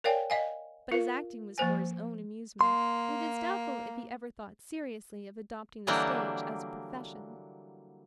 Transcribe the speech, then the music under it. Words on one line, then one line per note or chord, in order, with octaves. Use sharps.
But his acting was for his own amusement, and it is doubtful if he ever thought seriously of adopting the stage as a profession.
A#4 C#5 D5 F5 G5 G#5
D#5 F5 G#5
F4 A#4 F5
F3 A#3 C5 G#5
A#3 C6
D3 E3 F#3 G3 A#3 D4